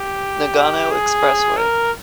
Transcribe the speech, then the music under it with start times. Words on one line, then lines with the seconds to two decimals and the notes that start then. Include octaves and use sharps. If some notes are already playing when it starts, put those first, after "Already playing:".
Nagano Expressway.
Already playing: G4
0.91 G#4
1.57 A#4